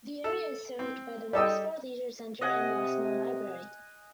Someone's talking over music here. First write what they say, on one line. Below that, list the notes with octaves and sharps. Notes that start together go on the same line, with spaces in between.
The area is served by the Rossmore Leisure Centre and Rossmore Library.
A4
C4
G3 A4 D5 D#5 G5 E6
C3 D#5 F#5 G#5